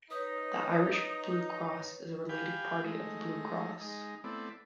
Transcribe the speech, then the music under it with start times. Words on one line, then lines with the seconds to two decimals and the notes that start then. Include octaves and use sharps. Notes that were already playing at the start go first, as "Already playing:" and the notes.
The Irish Blue Cross is a related party of Blue Cross.
0.11 D#4 B4 C#5 D#6
2.29 G4 B4 F5 G5 G#5
2.84 G#3 A3 D#4
3.81 G#3 D#4
4.24 A3 B3 C4 E4 D5